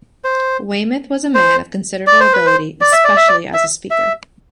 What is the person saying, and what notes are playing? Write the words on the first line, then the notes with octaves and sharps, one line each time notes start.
Weymouth was a man of considerable ability, especially as a speaker.
C5
C5
D5
C5
B4
C5
D5
E5
D5
E5
D5
E5
E5